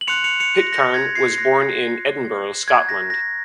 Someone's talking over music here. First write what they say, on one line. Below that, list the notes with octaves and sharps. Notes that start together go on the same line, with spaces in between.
Pitcairne was born in Edinburgh, Scotland.
F#7
C6 F#6 C#7 F7
C#7 F7
C#7 F7
A#6 C#7
A#6
G#6
G#6 C7
C6 F#6 A#6
A#5 C#6 F#6 G#6
A#6
A#6